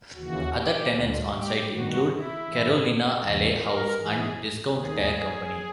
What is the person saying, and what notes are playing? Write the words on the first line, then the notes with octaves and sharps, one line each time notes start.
Other tenants on site include Carolina Ale House and Discount Tire Company.
D#2 C#3 E3 F#4
G4
D2 D3
G4
G2 D#3 F#4
E4
G#2 E3
E2 C#3 E3
A#4
G#2 E3 G#4
D#2 D#3 G#4